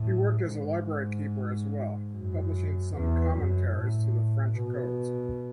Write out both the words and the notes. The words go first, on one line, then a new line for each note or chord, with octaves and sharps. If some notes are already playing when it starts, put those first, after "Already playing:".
He worked as a library keeper as well, publishing some commentaries to the French Codes.
Already playing: A2
G#2
F#2
E2
F#2
A2
B2